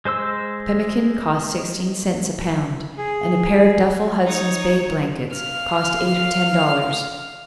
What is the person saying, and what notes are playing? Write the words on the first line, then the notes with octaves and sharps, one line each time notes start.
Pemmican cost sixteen cents a pound, and a pair of duffel Hudson's Bay blankets cost eight or ten dollars.
G#3 C5 C6 E6
G#4
D#4 C#5
F5 F6